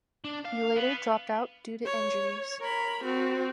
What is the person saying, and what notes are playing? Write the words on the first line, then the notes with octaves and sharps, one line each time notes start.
He later dropped out due to injuries.
D4
F5
B3
C#5
A#4 B5
C4 F#4